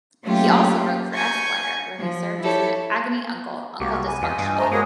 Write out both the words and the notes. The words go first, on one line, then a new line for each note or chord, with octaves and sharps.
He also wrote for "Esquire", where he served as an agony uncle, 'Uncle Dysfunctional'.
F#3 A3 A#3 C#4 F4 G4
G#5 C#6 G6
F3
E4 G4 A4 C#5
C2 A#3 F#4 G4
B4 G#5
E2 F4 D#5
G2
A3 C5 D#5 A5 A#5
G#3 A#3 B3 F#4 A#4 C#5 D#6